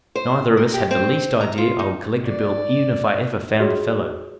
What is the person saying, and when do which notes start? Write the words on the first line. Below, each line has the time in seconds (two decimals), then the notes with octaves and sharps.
Neither of us had the least idea I would collect the bill even if I ever found the fellow.'
0.15 C5
0.57 A#4
0.74 G4
0.91 C4
1.41 A#5
1.58 F4
1.79 D#4
2.24 G#2 D5
3.60 F4 F#4 G#4 C#5 D#5